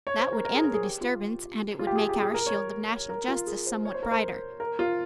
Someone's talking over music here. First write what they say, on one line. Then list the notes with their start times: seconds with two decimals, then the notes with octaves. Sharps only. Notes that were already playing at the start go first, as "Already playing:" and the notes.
That would end the disturbance and it would make our shield of national justice somewhat brighter.
0.07 C#5
0.19 C5
0.33 A#4
0.45 A#4
0.55 G#4
0.64 A#4
0.73 G#4
0.83 G4
1.01 F4
1.79 F4
1.87 G4
1.96 G#4
2.09 G4
2.21 G#4
2.34 A#4
2.46 C#5
3.09 A#4
3.28 F4
3.47 G#4
3.67 C5
3.85 C#5
3.94 C5
4.03 A#4
4.11 C5
4.60 A#4
4.79 F4